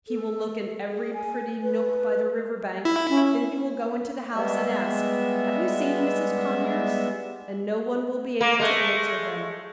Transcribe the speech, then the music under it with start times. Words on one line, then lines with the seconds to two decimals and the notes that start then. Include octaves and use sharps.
He will look in every pretty nook by the river-bank, then he will go into the house and ask, 'Have you seen Mrs. Conyers?' And no one will be able to answer him.
0.08 A4
0.91 G#4
1.14 G#5
1.63 B4
2.85 E4
3.09 C#4
4.34 G3 G#3 B3 E5
8.41 A#3
8.60 G#3 A3